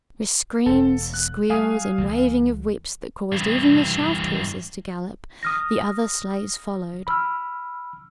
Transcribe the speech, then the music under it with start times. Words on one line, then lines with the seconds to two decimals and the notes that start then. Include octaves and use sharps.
With screams squeals, and waving of whips that caused even the shaft horses to gallop--the other sleighs followed.
0.66 E1 A4
1.14 F#6
1.50 G3 F5 G#5 D#6
1.98 C#2 E3 A3
3.32 G2 E3
5.43 D#6 F6 A#6
7.07 B5 E6 F6